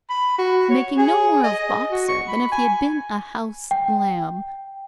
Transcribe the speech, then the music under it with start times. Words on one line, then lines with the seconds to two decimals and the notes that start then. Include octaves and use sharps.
Making no more of Boxer than if he had been a house lamb!
0.10 B5
0.38 F#4
0.70 C#5
0.97 G#4
1.43 D#5
1.91 F#4
2.09 C#6
2.28 B5
2.52 G#5
3.71 G5